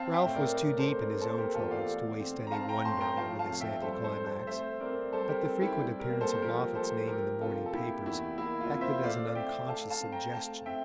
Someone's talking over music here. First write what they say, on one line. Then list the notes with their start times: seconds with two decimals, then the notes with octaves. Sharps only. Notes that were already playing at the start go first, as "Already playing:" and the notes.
Ralph was too deep in his own troubles to waste any wonder over this anticlimax; but the frequent appearance of Moffatt's name in the morning papers acted as an unconscious suggestion.
Already playing: C4 F5 A5
0.14 E5 G5
0.25 A2
0.35 A#4 D5
0.57 A3 A#4 D5
0.79 A4 C5
0.89 C4
1.00 A#4 D5
1.21 A#3 A4 C5
1.38 G4 A#4
1.55 E2 F4 A4
1.70 D5 F5
1.87 A3
2.20 C4
2.47 A#5
2.52 C4 F5 A5
2.69 G5 A#5
2.85 A2 A5 C6
3.01 G5 A#5
3.17 F3 F5 A5
3.39 F5 A5
3.51 F2
3.61 E5 G5
3.82 G3 A4 C5
4.04 A4 C5
4.14 C4
4.26 A4 C5
4.47 A3 C5 E5
4.80 C4 A#4 D5
5.13 G3 A4 C5
5.29 G4 A#4
5.46 C4
5.61 E4 G4
5.77 G3
5.99 G4 A#4
6.10 A#3
6.21 A4 C5
6.42 F3 G4 A#4
6.75 A3 A4 C5
7.07 A3 G4 A#4
7.41 C3 F4 A4
7.66 A4
7.73 A#3 E4 G4
8.06 E2 E4 G4
8.38 A#3 E4
8.61 F4
8.71 C3
8.81 C5 E5
9.03 A3 D5 F5
9.35 C4 E5 G5
9.68 A3 F5 A5
9.90 F5 A5
10.00 C4
10.12 G5 A#5
10.33 A3 F5 A5
10.66 C4 E5 G5